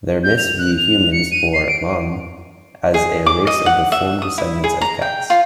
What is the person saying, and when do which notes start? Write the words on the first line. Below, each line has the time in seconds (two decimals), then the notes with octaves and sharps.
Their myths view humans, or "M'an", as a race of deformed descendants of cats.
0.23 G6
0.38 F7
0.58 F#6
0.78 F7
1.12 C#7
1.32 D#7
1.53 C7
1.68 D7
2.94 G#4
3.26 D6
3.47 D#5
3.66 F#5
3.92 E5
4.22 D#6
4.38 E4
4.64 G#4
4.81 A#5
5.02 G5
5.30 F4